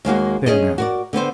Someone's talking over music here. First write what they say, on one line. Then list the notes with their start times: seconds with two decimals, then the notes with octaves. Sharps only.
There, now.
0.05 D#2 G#3 A#3 F#4
0.46 C#4 G#4 D#5
0.78 F#4 A#4 D5
1.13 D3 B3 C4 C5